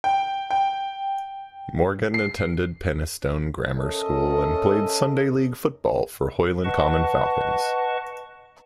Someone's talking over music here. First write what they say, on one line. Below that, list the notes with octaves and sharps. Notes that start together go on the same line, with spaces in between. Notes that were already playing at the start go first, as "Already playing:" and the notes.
Morgan attended Penistone Grammar School and played Sunday league football for Hoyland Common Falcons.
G5
G5
C7
C#4 A4 A#4 C#5 D#5 E5
B4 D#5 F#5 A5 C#6